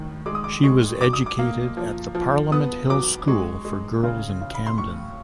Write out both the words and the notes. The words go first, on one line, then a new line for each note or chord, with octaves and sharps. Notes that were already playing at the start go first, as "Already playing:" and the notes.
She was educated at the Parliament Hill School for Girls in Camden.
Already playing: A2 D#3
G#3 D6
D#6
D6
G#3 C#6
F#3 D6
D#6
D6
A#3
F3
F3
B3 D#6
F#3 D6
G#3 C#6
G#3
C#3
C#3
B5
C6
A2 C#6